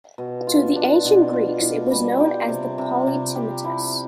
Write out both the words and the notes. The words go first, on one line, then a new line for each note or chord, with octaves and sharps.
To the ancient Greeks it was known as the Polytimetus.
B2
F4
D4
B2
F4
B2
G3
G4
C3
C3
C3
G4
E4